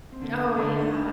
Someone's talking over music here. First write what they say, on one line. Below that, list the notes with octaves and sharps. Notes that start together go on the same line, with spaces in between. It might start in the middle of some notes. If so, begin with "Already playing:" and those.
Oh, yeah.
C4
D3 A#3
A3
A#3
D3 D4
D#4
D4
D4